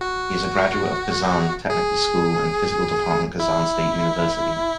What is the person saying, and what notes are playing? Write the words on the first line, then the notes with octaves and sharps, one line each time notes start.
He is a graduate of Kazan Technical School and physical department Kazan State University.
F#4
G#4
E4